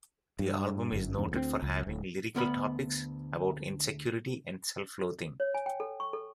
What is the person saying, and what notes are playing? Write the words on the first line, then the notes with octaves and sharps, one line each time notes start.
The album is noted for having lyrical topics about insecurity and self-loathing.
G2
G1 F#2
E2 G2 C#3
D2 G#3 C4
C#2
D1
D2 B3 A#4 B5
C#5
G#5
G5
A4
C#6
A4